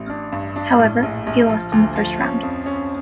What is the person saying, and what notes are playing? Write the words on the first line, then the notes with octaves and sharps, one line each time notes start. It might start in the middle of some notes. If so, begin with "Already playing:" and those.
However, he lost in the first round.
Already playing: A1
D4
G2
D4
A2
A#1
A#1
F3
D2
F3
C#4
F2
C#4